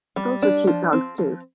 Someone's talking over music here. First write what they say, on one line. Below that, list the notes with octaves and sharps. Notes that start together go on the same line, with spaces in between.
those are cute dogs too.
G3
D4
F3
C4
F3